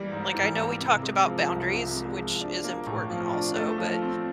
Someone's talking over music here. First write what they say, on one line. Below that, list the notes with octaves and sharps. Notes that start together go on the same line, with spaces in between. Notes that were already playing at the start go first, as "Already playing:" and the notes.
Like, I know we talked about boundaries, which is important also, but
Already playing: E3 G3 A#3
G#2
E3
A#3
C3
G#3
F3
C2
C3
G#3
F3
D4
A#3
A2
F3
D4
A3
F3
C4